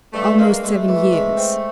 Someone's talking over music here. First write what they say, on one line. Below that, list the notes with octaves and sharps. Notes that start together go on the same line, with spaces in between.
"Almost seven years."
G2 A3
G#3 A#3
G#3 A3
E3
G#3
C4